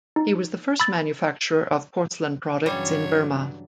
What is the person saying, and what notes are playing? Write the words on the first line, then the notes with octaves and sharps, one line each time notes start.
He was the first manufacturer of porcelain products in Burma.
D#4
B5 E6 A6
G2 C#3 E3 F#3 G3 C#5